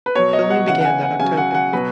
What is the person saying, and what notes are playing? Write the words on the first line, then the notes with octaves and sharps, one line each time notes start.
Filming began that October.
B4
B2 F#3 C#5
D#5
F#5
C#3 E3 F#5
F#5
G#5
F#5
C#3 F#3 G#5
F#5
G#5
F#5
B2 F#3 B4